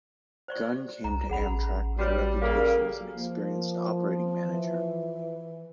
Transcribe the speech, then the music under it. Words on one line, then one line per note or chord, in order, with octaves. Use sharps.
Gunn came to Amtrak with a reputation as an experienced operating manager.
C5 D5 C#6
C2 A#5
A1 G#4 F#5 B5
G3 F#4 B4 C#5
C#3 G3 A#3 A4 F5
F3 A#3
E3